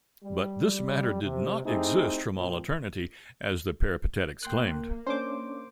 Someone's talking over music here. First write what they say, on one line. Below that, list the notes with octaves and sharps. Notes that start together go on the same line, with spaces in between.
But this matter did not exist from all eternity, as the Peripatetics claimed.
G3
C3
A3 C4 D#4 E4 G4 G#4
A#2 F3 C4
A#3 G5 C6 F#6
C#4 D4 C5 C#5 D6